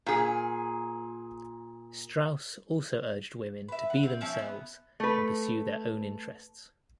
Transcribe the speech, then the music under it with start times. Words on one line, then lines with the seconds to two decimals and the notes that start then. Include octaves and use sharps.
Strauss also urged women to be themselves and pursue their own interests.
0.06 A#2 G#4
3.68 B4 E5
3.90 F#5
4.03 C4
4.21 F3 C4 C#4 E5
4.38 B3
5.00 A3 B4